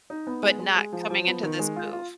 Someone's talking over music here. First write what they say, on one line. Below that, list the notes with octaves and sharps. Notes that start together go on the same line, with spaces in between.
But not coming into this move.
D#4
B3
G#3
G#3
G#3
F3
F3
B3
D#3
G#3
F4
F4